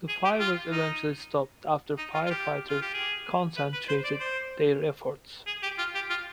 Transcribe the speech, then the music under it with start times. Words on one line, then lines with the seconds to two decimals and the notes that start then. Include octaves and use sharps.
The fire was eventually stopped after firefighters concentrated their efforts.
0.08 G#4
0.25 G4
0.40 F4
0.72 D#4
1.98 D#4
2.14 F4
2.26 F4
2.30 G4
2.69 F4
2.82 G4
2.94 G#4
3.57 B4
3.73 B4
3.88 C5
4.04 D5
4.20 C5
5.47 G#4
5.63 G4
5.78 F4
5.95 G4
6.10 F4